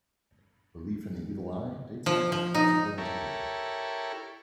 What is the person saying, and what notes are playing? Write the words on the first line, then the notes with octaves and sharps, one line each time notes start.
Belief in the evil eye dates back to Classical antiquity.
F3
F3
D#4
E4 G4 A4 A#4 C#5